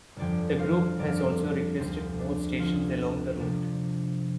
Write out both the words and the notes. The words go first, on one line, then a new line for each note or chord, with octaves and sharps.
The group has also requested more stations along the route.
G1 F2 D3 F3 D5 G5
C5 F5
G1 F2 D3 F3 D5
F5
A4 D5
D2 D3 F3 G4 C5
D4
D2 D3 F3 F4
C3 F3 D4